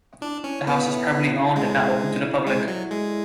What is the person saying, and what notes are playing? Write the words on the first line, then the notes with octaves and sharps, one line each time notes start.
The House is privately owned and not opened to the public.
D4 E4
C#4 C#5
B3 A4
E5
E4
C#5
G#3 A4
E5
E4
D5
G#3 A4
F#3 E4
G#3 E4